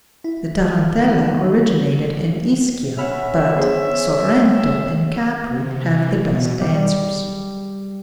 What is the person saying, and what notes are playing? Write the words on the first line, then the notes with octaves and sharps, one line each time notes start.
The Tarantella originated in Ischia, but Sorrento and Capri have the best dancers.
E4
D#3 E3
C#4 E5 F#5 B5 F6
B3 G#4 C5
C3
E3
B2
G3